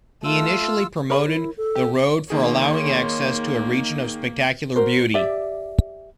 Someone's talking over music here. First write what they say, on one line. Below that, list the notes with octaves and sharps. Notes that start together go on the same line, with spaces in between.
He initially promoted the road for allowing access to a region of spectacular beauty.
A3 F4 E6
G#4 A#4 C#5 B5
E4
A4
G4
D#3 A#3 G#4 C#5 C6
F#4 A#4 C5
G4 D5 E5